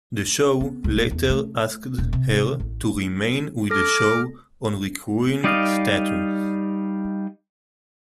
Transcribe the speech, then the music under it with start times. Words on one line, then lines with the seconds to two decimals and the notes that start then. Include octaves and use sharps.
The show later asked her to remain with the show on recurring status.
0.60 B3
0.84 C#2
0.97 D1
1.11 E2
1.29 A3
1.98 D#1
2.13 C3
2.60 A1
3.71 A4 D6 F6 A#6
5.44 G3 D#4 D5 D#5 F5